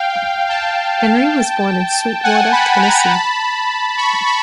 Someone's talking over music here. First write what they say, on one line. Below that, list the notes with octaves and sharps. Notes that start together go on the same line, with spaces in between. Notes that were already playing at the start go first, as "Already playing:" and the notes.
Henry was born in Sweetwater, Tennessee.
Already playing: F5 G5
G5 A5
F#5 G#5
A5 B5
G#5 A#5
A5 B5
B5 C#6
B5 C#6